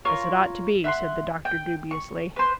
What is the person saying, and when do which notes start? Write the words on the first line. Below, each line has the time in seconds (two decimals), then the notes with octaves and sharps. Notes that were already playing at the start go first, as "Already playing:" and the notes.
"As it ought to be," said the doctor dubiously.
0.05 F4 A#4 C#5 F6
0.84 E5 F#5 B5 C6
1.45 G5
1.91 C#6
2.36 B4 C5